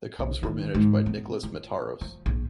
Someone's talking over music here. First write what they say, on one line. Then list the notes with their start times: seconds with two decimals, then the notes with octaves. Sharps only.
The Cubs were managed by Nicholas Mitaros.
0.19 B1
0.43 D#3
0.74 G#2
1.06 B3
1.43 F4
2.01 F3
2.26 A#1